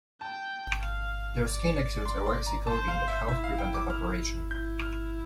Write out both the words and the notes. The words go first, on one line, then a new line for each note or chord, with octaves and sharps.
Their skin exudes a waxy coating that helps prevent evaporation.
G5 A5
F5
D5
C6
C6
A#5
C5 A5
F5
E5
E4 E5
F5
G5
D6
F6
E4 G6
F6